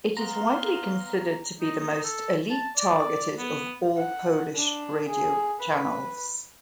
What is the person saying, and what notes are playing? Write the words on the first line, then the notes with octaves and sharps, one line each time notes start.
It is widely considered to be the most elite-targeted of all Polish radio channels.
B3 F5 A#5 C6
D#4
D#4
A4
A5
D5
B3
F#5
D4
G#4
B4